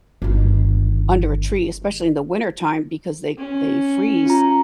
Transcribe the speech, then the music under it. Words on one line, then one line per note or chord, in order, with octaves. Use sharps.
under a tree, especially in the winter time because they they freeze
G1 D#3
C#4
F4 A#5